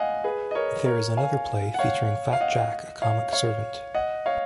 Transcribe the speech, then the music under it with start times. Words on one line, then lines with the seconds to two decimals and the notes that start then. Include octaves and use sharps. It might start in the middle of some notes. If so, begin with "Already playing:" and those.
There is another play featuring Fat Jack, a comic servant.
Already playing: D#5 F5 F#5 G#5
0.24 G#4 B4
0.51 D#5
0.55 A#4 C#5
0.86 A#4 C#5
1.17 F5 G#5
1.74 F#5
1.79 C#5 F5
2.33 F5
2.40 D#5 F#5
3.02 C#5 F5
3.33 C#5 F5
3.94 D#5 F#5
4.26 C#5 F5